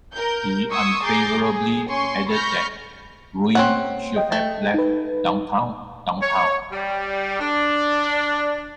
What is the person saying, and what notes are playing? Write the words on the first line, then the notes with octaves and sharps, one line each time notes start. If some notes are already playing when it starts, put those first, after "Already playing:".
He unfavorably added that Gruen should have left downtown, downtown.
A#4 G6
C6 C#6 D#6 E6 G#6 C#7
G#4 A#5 D6 G6 A6 C7
G#4
C#4 G#5 C6 C#6
B5 C#6 F6 G6 A#6
C4 C#4 F#5
D#5 G5
A3
D#4 B4
C#5
G3
D4